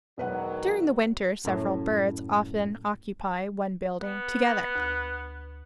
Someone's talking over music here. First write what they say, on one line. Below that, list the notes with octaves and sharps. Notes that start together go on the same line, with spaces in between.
During the winter several birds often occupy one building together.
E1 D#3 F#3 B4 F#5
F#2 A2
B3
D2 F#6